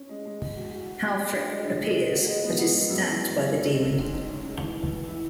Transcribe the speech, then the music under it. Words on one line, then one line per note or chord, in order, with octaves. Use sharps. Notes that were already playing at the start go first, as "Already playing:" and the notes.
Halfrek appears, but is stabbed by the demon.
Already playing: C#4
G#3
G#3
G#3
F#4
F#4
F#4
F#4
G#3
D4
G#3
D3
G#3
G#3
F#4
G#3
B3
B3
G#3
F#2
E3
F#2
F#2
F#2
G#3
G#3
G#2
G#2
C#4
G#3
E3
E3
E3
E4